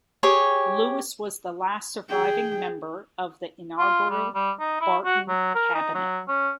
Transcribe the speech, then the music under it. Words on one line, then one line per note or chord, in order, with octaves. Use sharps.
Lewis was the last surviving member of the inaugural Barton Cabinet.
G4 G#4 C#5
G#4 G5
F4
G3
G3
D#4
E4
F#4
F#3
A#4
D#4
F#3
C#4